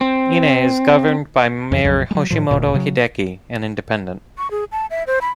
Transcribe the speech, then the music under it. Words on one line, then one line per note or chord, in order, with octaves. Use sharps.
Ine is governed by mayor Yoshimoto Hideki, an independent.
C4
F2 E3
A#1 F2 F#3
F#3 G#3
A2 F3
D#1 D2 A#2
C#3 F#3
C#6
G#4
A5
E5
C5
B5